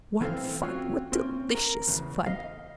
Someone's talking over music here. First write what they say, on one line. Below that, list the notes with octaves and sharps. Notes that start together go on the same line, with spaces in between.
What fun--what delicious fun!
E3 C4 C#4 A4 C5 F5
C4 C#4 F4 F#4 C#5
C4 C#4
A#4
E2 C#3
D#5 F5